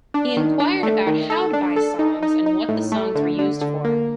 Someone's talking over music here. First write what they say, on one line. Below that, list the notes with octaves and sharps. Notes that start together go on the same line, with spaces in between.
He inquired about how to buy songs and what the songs were used for.
D4
D#3
D4
A3
D#3
A4
D4
A4
D#4
D#4
D#4
A2
A3
D3
D3
D3
A#3